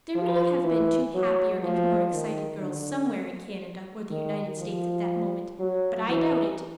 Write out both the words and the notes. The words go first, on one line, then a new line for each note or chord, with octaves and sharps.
There may have been two happier and more excited girls somewhere in Canada or the United States at that moment, but I doubt it.
F3
E3
F#3
F3
D#3
D3
D#3
F3
F#3
E3